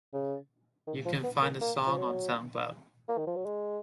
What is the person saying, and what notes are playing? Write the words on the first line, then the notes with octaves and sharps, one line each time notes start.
You can find the song on soundcloud.
C#3
D#3
F3
B3
A#3
A#3
F3
F#3
A#3
D#3
F3
F#3
G#3